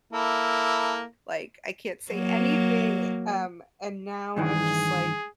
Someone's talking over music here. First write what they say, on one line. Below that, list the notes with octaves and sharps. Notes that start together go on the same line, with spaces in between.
Like, "I can't say anything." Um, and now I'm just like,
A#3 E4 A4
F#3 A#3
G2 D#3 E3 G#4